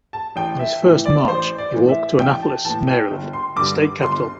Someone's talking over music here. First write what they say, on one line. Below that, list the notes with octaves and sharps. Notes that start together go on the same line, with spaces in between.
On his first march he walked to Annapolis, Maryland, the state capital.
A5
A1 G5
E5
A2 E3
D5
A1 C5
D5
A2 E3
E5
A1 G5
A5
A2 E3 A5
G5
G1
C6
G2 D3 G3 D6
G1 C6